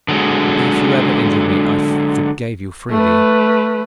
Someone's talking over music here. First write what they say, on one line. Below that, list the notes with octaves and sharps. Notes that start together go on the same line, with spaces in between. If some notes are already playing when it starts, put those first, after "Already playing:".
"If you ever injured me, I forgave you freely."
D3 F#3 G#3
A3 B4